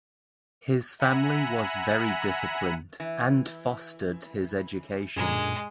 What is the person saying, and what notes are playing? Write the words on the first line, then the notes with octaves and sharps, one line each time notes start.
His family was very disciplined and fostered his education.
E5 F#5 G#5 A#5 B5
E3
F#2 A#2 D3 G#3 A#3 G#4